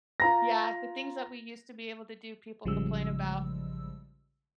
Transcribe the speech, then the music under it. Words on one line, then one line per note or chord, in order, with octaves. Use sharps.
Yeah, the things that we used to be able to do people complain about.
F4 A#5 A#6
A1 C#3 F3 G3 G#3 E6